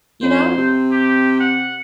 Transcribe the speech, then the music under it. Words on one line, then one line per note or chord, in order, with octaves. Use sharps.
You know?
F2 C5
C3
G4
F#5